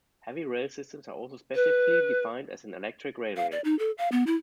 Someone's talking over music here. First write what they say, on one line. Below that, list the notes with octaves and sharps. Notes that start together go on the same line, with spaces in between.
Heavy rail systems are also specifically defined as an "electric railway".
B4
F5
D5
D#4
A4
F5
B3
E4